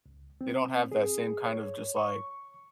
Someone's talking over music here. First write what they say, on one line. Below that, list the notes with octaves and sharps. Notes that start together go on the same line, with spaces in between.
they don't have that same kind of just, like
C#2
C4
G#4
C#5
C#6